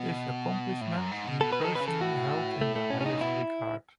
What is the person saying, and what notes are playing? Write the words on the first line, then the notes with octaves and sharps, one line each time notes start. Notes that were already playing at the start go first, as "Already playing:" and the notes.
This accomplishment he personally held in the highest regard.
Already playing: B2
A2
F#2
G#2
B2
B2 A4
B4
D#3 A4
B2 B4
C#3
A4
A2 F#4
A3
A3
C#4
C#4
C#3 D#4
B2 E4